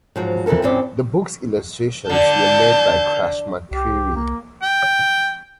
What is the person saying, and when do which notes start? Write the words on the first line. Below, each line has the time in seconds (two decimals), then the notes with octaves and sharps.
The book's illustrations were made by Crash McCreery.
0.16 G#2 F3 F#3
0.46 F2 E3 A#3 A4 A#4
0.62 G2 E3 C4 C#4 D5
2.10 D3 A5 G6
3.71 C2 G4
4.16 A#3
4.63 G5